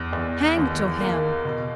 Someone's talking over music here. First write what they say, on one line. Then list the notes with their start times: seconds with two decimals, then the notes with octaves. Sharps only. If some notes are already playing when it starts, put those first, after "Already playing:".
Hang to him!
Already playing: E2
0.13 E2
0.57 D#2
1.01 A#3
1.45 B2